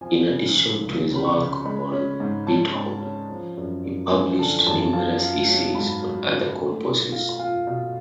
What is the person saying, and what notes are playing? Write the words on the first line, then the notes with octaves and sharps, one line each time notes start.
In addition to his work on Beethoven, he published numerous essays on other composers.
F3 G#5
C#3
F3
C#2
C#3
B5
C#6
C#3
G#3 B5
C#4
G#2
C#4 A5
G#2
C#4
F3
F#2
F#2
F3 G#5
D3 A5
F#2 A5
F4 A5
F4
F#3
G#2 B5
F#3
G#2
A3
B2
F4
F4
B2